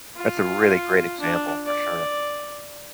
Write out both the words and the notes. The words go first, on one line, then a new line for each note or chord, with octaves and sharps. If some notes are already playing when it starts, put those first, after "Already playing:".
That's a really great example for sure.
F4
D4
D5